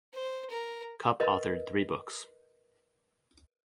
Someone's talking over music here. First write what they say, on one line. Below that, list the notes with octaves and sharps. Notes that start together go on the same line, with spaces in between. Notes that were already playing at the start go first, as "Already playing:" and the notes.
Cupp authored three books.
C5
A#4
A#4 B4 D#5